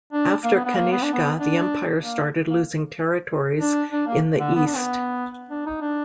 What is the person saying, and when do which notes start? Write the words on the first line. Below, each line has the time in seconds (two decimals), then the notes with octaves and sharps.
After Kanishka, the empire started losing territories in the east.
0.12 D4
0.44 A#3
0.55 B3
0.65 B3
0.75 A#3
0.91 B3
1.02 D4
1.13 B3
1.39 D4
2.02 A#3
2.50 A#3
3.60 D4
3.92 D4
4.07 A#3
4.39 D3
4.55 B3
4.66 D4
4.76 B3
5.50 D4
5.66 D#4
5.81 D4